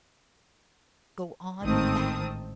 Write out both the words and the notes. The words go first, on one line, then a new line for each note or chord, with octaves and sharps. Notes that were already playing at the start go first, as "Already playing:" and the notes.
"Go on back!"
A1 G#2 D#3 C4 A5 D#6